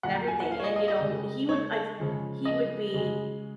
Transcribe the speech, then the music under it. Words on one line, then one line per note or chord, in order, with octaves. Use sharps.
and everything, and, you know, he would I he would be
A#2 F#3 F#5
A#5
G#5
F#5
F5
C#5
D#5
D#5
D#5
C#3 G#3
C#5
C#3 F3 G#3
D#5
C#3 G#3